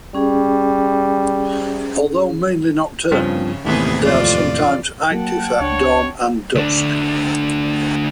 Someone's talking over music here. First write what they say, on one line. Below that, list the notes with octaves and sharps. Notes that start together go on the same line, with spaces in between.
Although mainly nocturnal, they are sometimes active at dawn and dusk.
G3 C#4 G#4
G2 C#3 F3 C4
D#2 A2 C3 E3 B3 G#4
F2 F4 D5
F#3 A#3 F#5 G5 A5
C#2 D4 C#5
D2 D4